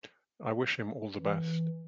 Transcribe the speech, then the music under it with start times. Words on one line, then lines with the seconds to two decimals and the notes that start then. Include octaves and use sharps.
I wish him all the best.
1.19 E3